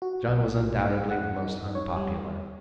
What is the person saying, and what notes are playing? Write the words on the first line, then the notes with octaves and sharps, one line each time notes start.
John was undoubtedly the most unpopular.
F#4
B1
D#4
F#5
D#4
C#5
G3